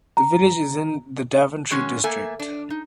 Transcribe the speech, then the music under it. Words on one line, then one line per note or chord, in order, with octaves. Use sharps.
The village is in the Daventry district.
A#5
D#3 F#3 G#3 C#4
A3 A#3 A4 G#5
D4
D#4